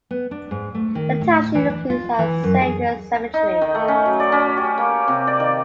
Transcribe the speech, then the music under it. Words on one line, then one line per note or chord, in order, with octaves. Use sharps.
The township includes Our Saviors Cemetery.
B3
D4
G#2
A3
D#3
A2
E3
D4
F4
E3
F#2
G#4
D#4
D#3
A3
C#4
F#3
D5
C#4
G4
A#3
C3
D5
D#3